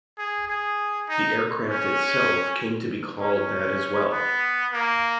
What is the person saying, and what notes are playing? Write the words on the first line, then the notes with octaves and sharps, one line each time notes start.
The aircraft itself came to be called that as well.
G#4
G#4
D#4
C#4
C#4
B3
A#3